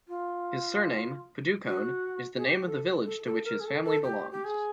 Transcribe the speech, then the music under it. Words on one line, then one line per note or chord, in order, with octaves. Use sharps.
His surname, Padukone, is the name of the village to which his family belongs.
F4
F#4
G#4
G4
A4
A4
A4
A#4
G#4
A4
A4
G4
G4
G#4